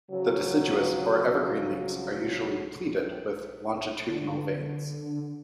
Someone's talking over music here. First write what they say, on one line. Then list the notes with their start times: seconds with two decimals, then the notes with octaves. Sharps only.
The deciduous or evergreen leaves are usually pleated, with longitudinal veins.
0.11 C#3 F3 F#3
4.10 D3